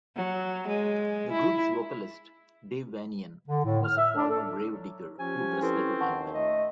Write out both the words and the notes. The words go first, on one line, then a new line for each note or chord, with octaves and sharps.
The group's vocalist, Dave Vanian, was a former gravedigger who dressed like a vampire.
F#3
G#3
E4
D3
A2
F6
E5
D4
A4
F#3
F3 C#4 G4 C5 G#5
C4 E4 A4 B4
D#2 A#2 F#5 A5 C#6
A3 D#5